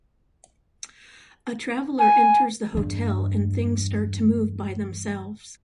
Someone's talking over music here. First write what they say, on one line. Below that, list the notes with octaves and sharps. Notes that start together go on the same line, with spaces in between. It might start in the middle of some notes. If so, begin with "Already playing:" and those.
A traveller enters the hotel and things start to move by themselves.
G#5
E2 G2